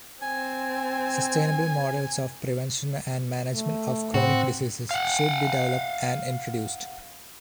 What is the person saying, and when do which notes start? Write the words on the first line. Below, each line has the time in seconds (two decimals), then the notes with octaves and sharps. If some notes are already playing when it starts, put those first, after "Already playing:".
Sustainable models of prevention and management of chronic diseases should be developed and introduced.
0.22 C4 G#5
3.52 A3
4.14 A2 C4 F#4
4.91 F5 F#5